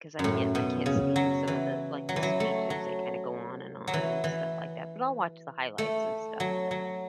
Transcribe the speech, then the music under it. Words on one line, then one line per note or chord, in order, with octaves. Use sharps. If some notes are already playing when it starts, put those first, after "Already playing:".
'cause I can't I can't stand some of the, like, the speeches. They kinda go on and on and stuff like that. But I'll watch the highlights and stuff, but,
F#2
A2
B2
C#3
F#3
E3
F#3
E3
F#3
A3
F#3
F#3
E3
E3
A3
F#3
F#3